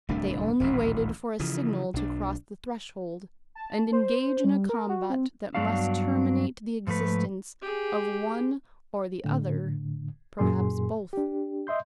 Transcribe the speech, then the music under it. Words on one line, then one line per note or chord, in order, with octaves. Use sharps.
They only waited for a signal to cross the threshold; and engage in a combat that must terminate the existence of one or the other--perhaps both.
D1 C2 A3 D4
D#1 A1 D2 A2
C#3 E3 F3
B1 D4
A5
C5
G3
A#4
F#4
C4
G2 F#3 B3 D4 F#4 F5
G#2 F3 A3 B4
G4 G#4
A2 D3
F#2 A#2 G#4 C6
D4 G4
D#5 E5 C6 G6